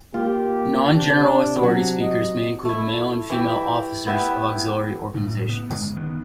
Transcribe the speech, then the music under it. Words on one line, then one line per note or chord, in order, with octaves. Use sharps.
Non-general authority speakers may include male and female officers of auxiliary organizations.
A#3 F4 G4
C3 D4
F#3
D#5
A3 E4
E3 G4 E5
B3 E4 G4 E5
A2 C#3
B3
G1 C#3 G#3
D#3 B3